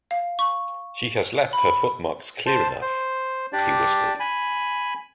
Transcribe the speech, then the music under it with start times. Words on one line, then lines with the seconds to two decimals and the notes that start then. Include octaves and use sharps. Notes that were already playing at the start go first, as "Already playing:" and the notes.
"She has left her footmarks clear enough," he whispered.
0.11 F5
0.39 C#6
1.53 B5
2.46 C5 A5
2.81 C5
3.53 D4 G4 D5
4.20 G#5 B5